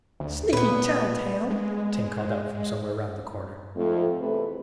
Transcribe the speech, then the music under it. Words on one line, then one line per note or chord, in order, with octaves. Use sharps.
"Sneaky tell-tale!" Tink called out from somewhere round the corner.
D2
A#2 B3 B4
G#3
F2 G#2 A3
E2 C3 E3 A3 A4 B4